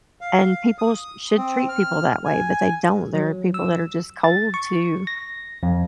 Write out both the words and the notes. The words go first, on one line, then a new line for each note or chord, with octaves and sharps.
And people sh should treat people that way, but they don't, there are people that are just cold to
F5
D#6
C4
F6
G#5
F#3
E6
A6
C#6
A#6
F2